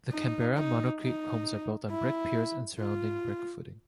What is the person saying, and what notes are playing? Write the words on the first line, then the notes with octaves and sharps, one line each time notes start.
The Canberra monocrete homes are built on brick piers and surrounding brick footing.
D#4
D#4
D#4
E4
F4